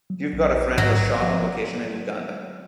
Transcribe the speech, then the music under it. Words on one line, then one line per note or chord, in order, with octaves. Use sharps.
"You've Got a Friend" was shot on location in Uganda.
F#3
A#1
A#1
G#2 F#3
G#1
F3